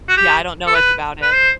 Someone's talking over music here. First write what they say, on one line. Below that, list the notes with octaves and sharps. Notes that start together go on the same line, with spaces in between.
Yeah, I don't know much about it.
F#4
G4
A4
B4
B4
C5